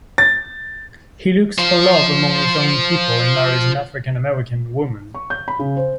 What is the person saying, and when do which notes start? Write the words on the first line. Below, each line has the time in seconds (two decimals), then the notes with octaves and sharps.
He looks for love among his own people and marries an African-American woman.
0.18 A6
1.59 F3 C5
5.15 C#6
5.30 G6
5.48 B5
5.59 C#3
5.77 C5